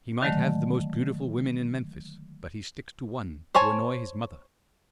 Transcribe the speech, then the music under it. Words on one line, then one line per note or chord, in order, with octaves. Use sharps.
He might have the most beautiful women in Memphis, but he sticks to one to annoy his mother.
D3 D#3 F#3 G#3 A3
C5 C#5 G#5 A5